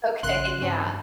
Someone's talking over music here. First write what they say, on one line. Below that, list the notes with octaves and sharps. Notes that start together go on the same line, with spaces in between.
Okay, yeah.
A#1 C#3 C6 F#6
G2 C4 C#4